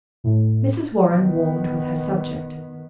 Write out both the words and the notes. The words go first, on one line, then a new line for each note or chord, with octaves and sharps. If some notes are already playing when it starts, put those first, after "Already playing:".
Mrs. Warren warmed with her subject.
A2
D#3 B3